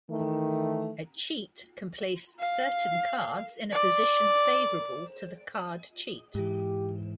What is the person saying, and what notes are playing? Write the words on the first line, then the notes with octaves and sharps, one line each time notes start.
A cheat can place certain cards in a position favorable to the card cheat.
D#3 E3 A3
F5
D5
G#2 E3 G4